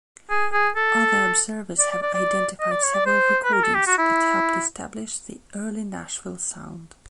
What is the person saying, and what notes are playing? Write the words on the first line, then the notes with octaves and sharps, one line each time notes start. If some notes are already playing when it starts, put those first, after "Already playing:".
Other observers have identified several recordings that helped establish the early Nashville sound.
G#4
G#4
A4
D5
D5
D5
D5
D#5
D5
C#5
D5
C5
B4
A#4
A4
G4
F#4
E4